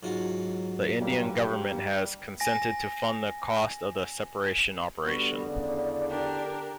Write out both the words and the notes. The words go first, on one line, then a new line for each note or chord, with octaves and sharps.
The Indian government has consented to fund the cost of the separation operation.
G#2 F#3 F4 F#4
G2 G3 A#3
G#5 A#6
D3 G3 B3 F#4
E2 C#3 D5
D4 G4 A#4